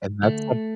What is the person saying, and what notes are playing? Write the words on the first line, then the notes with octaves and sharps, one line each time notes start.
and that's some
D2 A3